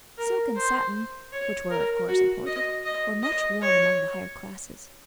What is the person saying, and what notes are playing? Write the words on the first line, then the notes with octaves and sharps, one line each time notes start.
Silk and satin, which were of course imported, were much worn among the higher classes.
A#4
C5
C#5
A#4
F#4
D#5
D#5
D#5
C#5